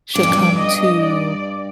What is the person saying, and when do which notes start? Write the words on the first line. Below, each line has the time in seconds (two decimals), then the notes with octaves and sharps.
should come to
0.15 G2 D6
0.23 F2
0.33 G2
0.59 D#5
1.03 D5